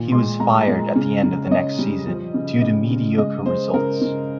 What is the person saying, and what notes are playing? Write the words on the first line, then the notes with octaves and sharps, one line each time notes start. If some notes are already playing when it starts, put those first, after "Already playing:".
He was fired at the end of the next season due to mediocre results.
Already playing: A#2 D#3
G#3 C6
G#3 A#5
G#3
C#3
C#3
C#5
C#3 D#5
G3
F3
C#3
C#3 D#5
C#3
G#3 D#5
G#3 C5
C#3 A#4
C#3